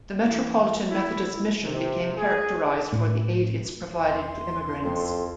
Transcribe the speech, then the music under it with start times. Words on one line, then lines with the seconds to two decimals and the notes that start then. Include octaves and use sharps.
The Metropolitan Methodist Mission became characterized for the aid its provided to immigrants.
0.23 E3
0.88 E4
1.63 C3
2.16 G#4
2.93 A2
3.98 E2 C6
4.83 F2 A4